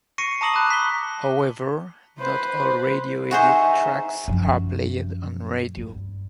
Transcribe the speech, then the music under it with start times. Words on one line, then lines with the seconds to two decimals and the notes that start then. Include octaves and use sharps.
However, not all "radio edit" tracks are played on radio.
0.18 C#6 A#6 C7 C#7 D#7
0.41 A5 A#5 D6 D#6 A#6 F#7
0.54 A5 B5 D6 F#6
0.70 B6 G7
2.19 B4 C5
3.31 D#4 F#4 G#4 C5 E5
4.28 F#2 F3
5.77 G2